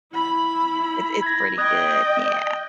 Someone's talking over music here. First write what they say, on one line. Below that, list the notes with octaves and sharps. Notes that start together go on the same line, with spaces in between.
it's it's pretty good. Yeah,
E4 B5
G#6 A#6
D#5 G5 D#6 F#6 G#6